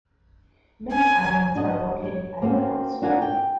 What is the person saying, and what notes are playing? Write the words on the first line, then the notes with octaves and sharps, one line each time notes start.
Many islands are located at the coast.
G#5
D4 F#4 D#5
C#5
A#3 C4 C#4 F#4
D4 F4 F#4 A#4 G#5
G5